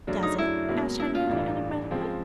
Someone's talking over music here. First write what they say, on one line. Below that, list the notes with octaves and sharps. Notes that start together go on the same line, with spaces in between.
"Does it?" asked Henriette, enigmatically.
F#2 C#3 F#3 A3 D4
D#4
E4
C#2 B2 F#3 A#3
E4
F4
A1 G2 E3 A3 D4
C#3 F3 G#3 C4